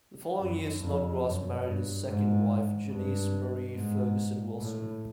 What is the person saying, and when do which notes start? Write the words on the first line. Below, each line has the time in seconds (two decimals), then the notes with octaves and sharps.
The following year Snodgrass married his second wife, Janice Marie Ferguson Wilson.
0.38 F#2
0.80 F2
1.22 F#2
1.64 G2
2.06 G#2
2.91 G2
3.75 G#2
4.59 A2